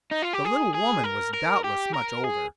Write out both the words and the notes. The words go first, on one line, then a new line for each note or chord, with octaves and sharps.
But the little woman was doubtless much older.
D#4
F4
G4
G#4
G#4
A#4
A#4
G4
A#4
G#4